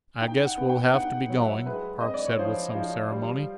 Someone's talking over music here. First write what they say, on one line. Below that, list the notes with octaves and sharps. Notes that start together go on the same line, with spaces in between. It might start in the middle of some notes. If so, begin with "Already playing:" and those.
"I guess we'll have to be going," Park said with some ceremony.
D#4 G5
F#5
B3
G5
D#4 F#5
F#3
E5
G#3 B4
C4 D#5
D5
C#5
F3 C5
F3
G3